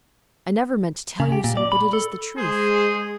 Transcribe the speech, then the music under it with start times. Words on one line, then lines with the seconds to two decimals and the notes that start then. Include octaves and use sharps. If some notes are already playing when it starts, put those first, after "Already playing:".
I never meant to tell you so, but it is the truth.
1.20 C#3
1.32 G4
1.44 A#2
1.57 D5
1.72 B5
1.93 A4
2.37 G#3 G#4 C5